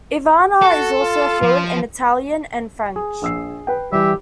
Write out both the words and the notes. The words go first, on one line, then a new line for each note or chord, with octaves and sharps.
Ivana is also fluent in Italian and French.
F#4 A4
F4
F3
G#4
A#1 E6 C7
B4 G5
E3 G3 G4 E5